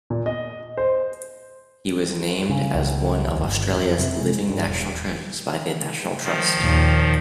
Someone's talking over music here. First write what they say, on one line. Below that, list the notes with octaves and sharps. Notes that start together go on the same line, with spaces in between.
He was named as one of Australia's Living National Treasures by the National Trust.
A#2
D#5
C5
C#3
C#2
D#2
G1
F2
C3
G#3
G2
E1
D#3 F3
D#2 A#2